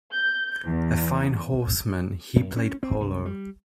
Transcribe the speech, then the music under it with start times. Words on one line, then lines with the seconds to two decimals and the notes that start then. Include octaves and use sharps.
A fine horseman, he played polo.
0.11 G6
0.64 E2
2.36 F#2
2.56 C#4
2.83 C4
3.01 C2
3.25 G3